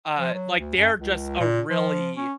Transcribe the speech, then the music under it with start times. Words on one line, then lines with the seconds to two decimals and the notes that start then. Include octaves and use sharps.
uh, like, they're just a really
0.18 F3
0.34 F#3
0.58 D2
0.77 F#2
0.98 C#2
1.40 A#2
1.70 F3
2.17 C#4